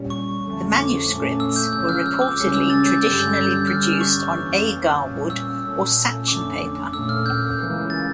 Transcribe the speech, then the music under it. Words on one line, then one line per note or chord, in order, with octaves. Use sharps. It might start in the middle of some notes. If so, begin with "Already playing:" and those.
The manuscripts were reportedly traditionally produced on Agar wood or "sachi" paper.
Already playing: A#2 G3 C#4
C#6
F2 D3 F3 A3 C#4
D6
A#2 A3 C#4
E6
G6
C#2 C#3 F3 G6
F6
E6
D6
C#2 C#3 G3 C#4 D6
E6
A6
G6
G2 D3 G3 C#4 E6
G6
G6
G6
G2 D3 G3 C#4 F6
C#6
F2 E3 A#3 C#4
A#2 G3 A#3 C#4
E6
A#2 A3 C#4
F2 D3 A3 C#4 D6
A#2 A3 C#4 E6
F6
G6
C#2 C#3 E3 A#3
A6